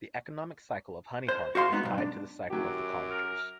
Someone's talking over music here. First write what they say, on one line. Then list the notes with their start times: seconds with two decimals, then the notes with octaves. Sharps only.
The economic cycle of Honey Harbour is tied to the cycle of the cottagers.
1.28 C5
1.55 F#4 C5 F5 C6
1.72 G#3 B3 D#4
1.83 B1 G2
1.98 D4
2.50 F#2 F#3 G4 D6
3.11 A#4